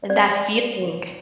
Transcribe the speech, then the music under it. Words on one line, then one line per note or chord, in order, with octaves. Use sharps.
And that feeling.
D5